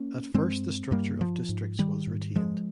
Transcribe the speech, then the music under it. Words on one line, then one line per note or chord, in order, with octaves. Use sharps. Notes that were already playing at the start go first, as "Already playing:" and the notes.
At first the structure of districts was retained.
Already playing: A#3 C#4
G2 G#3 C4
G2 G3 A#3
F3
G#2
D#3 G3
G#2
F3 G#3